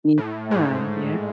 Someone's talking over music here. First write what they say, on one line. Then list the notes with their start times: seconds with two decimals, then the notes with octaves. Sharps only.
M yeah, yeah.
0.18 A2
0.51 G#2